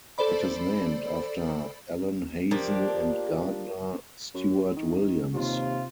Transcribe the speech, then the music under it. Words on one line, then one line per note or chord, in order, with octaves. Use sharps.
It is named after Allen Hazen and Gardner Stewart Williams.
A4 C5 D5 B5
F3 A#3 D4 G4
F#2
D#3
D#2 C3 F4